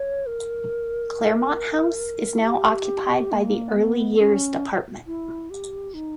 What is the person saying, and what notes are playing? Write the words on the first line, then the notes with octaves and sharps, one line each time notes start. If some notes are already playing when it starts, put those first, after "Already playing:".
"Claremont House" is now occupied by the early years department.
Already playing: C#5
A#4
E4
G4
A#3
B3
C#4
E4
G4
D#4